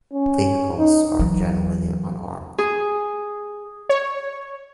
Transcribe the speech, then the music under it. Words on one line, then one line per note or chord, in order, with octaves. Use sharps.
Vehicles are generally unarmed.
C#4
D#4
E3 F#3
G#4
C#5